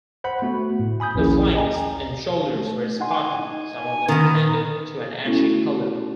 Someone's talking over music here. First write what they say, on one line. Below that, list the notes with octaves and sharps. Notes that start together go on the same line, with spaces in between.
The flanks and shoulders were spotted, some of them tended to an ashy colour.
C5 F#5 B5
A3 B3 F#4
A2
G#5 B5 D#6 G6
A#1 D#2 C#4 E4 G#4
D#5 G5 G#5 A#5
A3
D#4 F#5 G#5 C6
D#4
A#2 D#3 B3 A#4
A3 B3 C#4 E4 F#4 A4